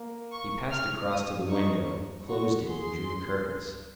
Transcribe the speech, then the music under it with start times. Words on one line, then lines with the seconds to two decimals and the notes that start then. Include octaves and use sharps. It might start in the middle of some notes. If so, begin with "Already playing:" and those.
He passed across to the window, closed it and drew the curtains.
Already playing: A#3
0.32 C#6
0.72 F6
1.10 D#6
1.50 D#4 C#6
2.29 F#4 C#6
2.69 G#4 C6